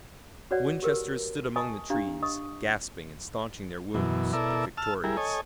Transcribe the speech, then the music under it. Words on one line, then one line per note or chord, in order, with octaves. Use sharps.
The Winchesters stood among the trees, gasping and staunching their wounds, but victorious.
F#4 B4 C#5 D5 F#5
G4 A#4 B4
D#5 G#5 A5 C#6 D#6
D4 G4 F5 A#5
D#5 C#6 D#6
F#2 B2 E3
B2 E4 A4 A#4 D5 E5
A5 E6 F6
G3 E4 G#4 A#4
A4 C#5 D#5 G#5